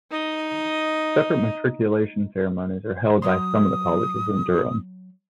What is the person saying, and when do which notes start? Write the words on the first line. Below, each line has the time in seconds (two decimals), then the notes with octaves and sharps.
Separate matriculation ceremonies are held by some of the colleges in Durham.
0.11 D#4 D#5
3.22 F#3 C#5 C6 D#6